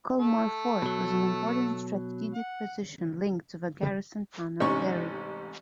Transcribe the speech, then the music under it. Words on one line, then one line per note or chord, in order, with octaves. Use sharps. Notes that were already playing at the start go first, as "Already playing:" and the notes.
Culmore Fort was an important strategic position linked to the garrison town of Derry.
A3 A4
B2 F#3
F#5
A1 G#2 C3 C#4 C#6